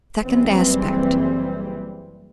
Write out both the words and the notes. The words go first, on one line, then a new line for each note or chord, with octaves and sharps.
Second Aspect.
F#1 E3 G3 C4